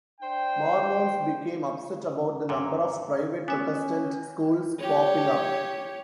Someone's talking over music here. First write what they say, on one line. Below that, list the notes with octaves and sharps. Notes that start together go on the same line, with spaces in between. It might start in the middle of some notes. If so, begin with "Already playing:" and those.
Mormons became upset about the number of private Protestant schools popping up.
D4 C5 G5
F#2 A#2 A#5 C6
B3 C#4 E5 G#5 D6 D#6
G4 C#5